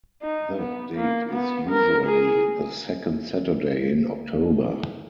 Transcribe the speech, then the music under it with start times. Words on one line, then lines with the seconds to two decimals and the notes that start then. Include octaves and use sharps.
The date is usually the second Saturday in October.
0.22 D#4
0.58 B3
0.96 A#3
1.32 B3
1.70 A#4
2.07 G#4